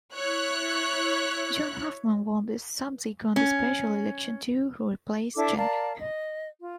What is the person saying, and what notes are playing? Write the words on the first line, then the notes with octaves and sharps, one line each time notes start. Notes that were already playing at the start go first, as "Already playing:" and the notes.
Joan Huffman won the subsequent special election to replace Janek.
E4 C#5 F#6
C#4
D4 E4 A4 D6
A#4 D5 F5 A5
D#5
F4